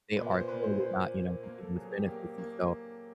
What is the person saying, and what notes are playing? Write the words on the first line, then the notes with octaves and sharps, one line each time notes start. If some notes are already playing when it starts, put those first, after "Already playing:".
they are totally not, you know, reaping those benefits. And so,
A#2 B4
C5
A#2 B4
C5
A#2 C5
A#3
A#3 A#4
A4
F#3 G#4
G4
A#3
A#3